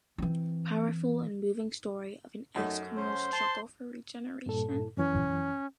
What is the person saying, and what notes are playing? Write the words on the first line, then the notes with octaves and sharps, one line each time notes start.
Powerful and moving Story of an Ex-Criminal's struggle for regeneration.
E3 C4
F#2 A3 D#4
C#4 C5
A5 C6
G2 A#2 A4
F#2 E3 C#4